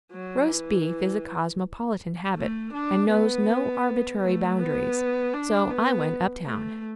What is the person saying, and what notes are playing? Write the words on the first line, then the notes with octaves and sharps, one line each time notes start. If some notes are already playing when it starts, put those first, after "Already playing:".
Roast beef is a cosmopolitan habit, and knows no arbitrary boundaries; so I went uptown.
F#3
E3
A3
D4
B3
A3
B3
D4
B3
A3